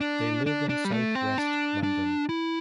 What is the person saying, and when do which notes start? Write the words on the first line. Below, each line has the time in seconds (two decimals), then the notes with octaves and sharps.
They live in south west London.
0.01 D4
0.46 D4
0.69 D4
0.85 G3
0.92 A3
1.15 C4
1.38 D4
1.83 D4
2.29 E4